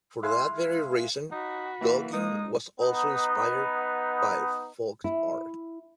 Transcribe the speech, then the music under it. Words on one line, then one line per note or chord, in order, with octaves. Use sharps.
For that very reason, Gauguin was also inspired by folk art.
G#3 E4 F5
D#4 F#4 B5
E3 A#3
G#3 D#4 D#6
B3 D#4
E4